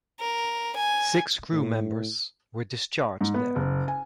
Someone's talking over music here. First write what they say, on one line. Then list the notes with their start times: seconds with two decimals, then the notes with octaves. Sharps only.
Six crew members were discharged there.
0.20 A#4
0.76 G#5
1.53 A2
3.21 G#2
3.34 B3
3.56 F#1
3.88 G#5